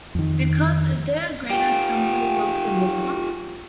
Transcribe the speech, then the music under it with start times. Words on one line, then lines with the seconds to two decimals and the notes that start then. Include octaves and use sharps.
Because, is there a greater stumbling-block than this one?
0.15 F2 D#3
1.51 F4 G4